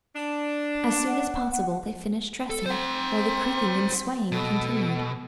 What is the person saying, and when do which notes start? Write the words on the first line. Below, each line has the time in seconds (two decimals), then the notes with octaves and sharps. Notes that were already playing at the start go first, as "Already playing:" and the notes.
As soon as possible they finished dressing, while the creaking and swaying continued.
0.16 D4
1.07 F#5
2.50 A4
2.66 C4 C5 F#5
4.32 B2 A4